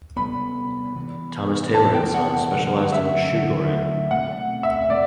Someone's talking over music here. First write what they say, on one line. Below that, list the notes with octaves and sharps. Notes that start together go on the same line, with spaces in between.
Thomas Taylor and Sons specialized in shoe goring.
C3 G3 B3 B5
C3 E3 B3
C3 E3 B3 A5
G5
F#5
F#5
D3 F#3 A3 F#5
E5
D3 F#3 A3
B2 A3 C4 F#5
E5
B2 A3 C4 D5